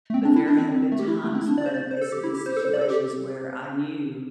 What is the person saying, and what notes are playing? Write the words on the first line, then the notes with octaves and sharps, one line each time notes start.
but there have been times when it's been situations where I knew
A3
C4
D4
E4
D4
C4
A3
G4
E4
A3
C4
E4
D4
D5
C5
D5
C5
A4
G4
E4
G4
C5
A4
C5
D5
A4
G4